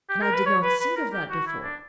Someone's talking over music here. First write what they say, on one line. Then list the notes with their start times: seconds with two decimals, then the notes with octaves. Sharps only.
And I did not think of that before!
0.09 G4
0.22 A#4
0.34 B4
0.46 C#5
0.63 B4
0.80 B4
0.96 A#4
1.13 G4
1.30 F#4
1.47 E4
1.64 D4